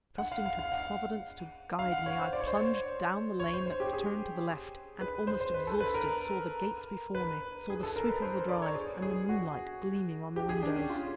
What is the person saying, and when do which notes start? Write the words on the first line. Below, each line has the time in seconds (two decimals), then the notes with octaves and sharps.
Trusting to Providence to guide me, I plunged down the lane that turned to the left, and, almost exhausted, saw the gates before me--saw the sweep of the drive, and the moonlight, gleaming on the windows!
0.18 F#5
0.32 F5
0.46 F5
0.59 F5
0.72 F#5
1.79 F5
1.92 F#5
2.06 C#5
2.19 C5
2.33 D5
2.40 C#5
2.47 C5
2.55 C#5
3.40 C#5
3.53 C5
3.66 C5
3.80 G4
3.93 G#4
5.01 B4
5.27 C5
5.40 C5
5.54 B4
5.67 A4
5.80 B4
5.94 A#4
7.15 B4
7.70 G#4
7.83 A4
7.96 A#4
8.09 B4
8.22 C5
8.48 D5
8.62 C#5
8.75 G#4
9.02 G#4
9.29 F#4
10.36 G4
10.49 G#4
10.63 D4
10.76 C#4
10.90 F4